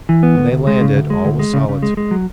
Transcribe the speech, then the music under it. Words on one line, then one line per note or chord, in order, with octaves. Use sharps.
When they landed, all was solitude.
E3
B3
D2
D2
G#3
C#3
D2
G#3
D2
G#3
C#3
C#3
G#3
G#3
F#3